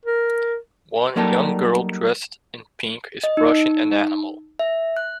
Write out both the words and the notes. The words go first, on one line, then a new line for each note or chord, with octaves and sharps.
One young girl dressed in pink is brushing an animal.
A#4
F#3 G3 A#3 D#4 G4 A4
D#5
D#4
E5
F#6